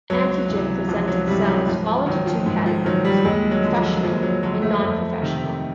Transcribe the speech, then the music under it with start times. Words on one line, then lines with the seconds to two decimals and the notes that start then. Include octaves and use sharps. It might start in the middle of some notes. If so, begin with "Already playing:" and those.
Antigen-presenting cells fall into two categories: professional and non-professional.
0.10 C#2 F#3
0.49 C3 E3
0.88 C#2 F3
1.08 F#3
1.27 C3 E3 G3
1.47 F#3
1.67 G#2 F3
2.06 D#3 F#3
2.26 F3
2.46 G#2
2.66 F3
2.85 D#3 F#3
3.05 G3
3.25 D#2 G#3
3.51 F#3
3.64 D3 F3
3.78 F3
4.03 D#2 F3
4.23 F#3
4.43 D3 F3 F#3
4.62 A3
4.82 F2
5.22 C3 D#3